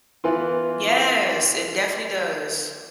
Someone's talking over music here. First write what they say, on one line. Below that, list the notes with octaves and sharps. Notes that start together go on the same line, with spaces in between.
Yes, it definitely does.
E3 B3 F4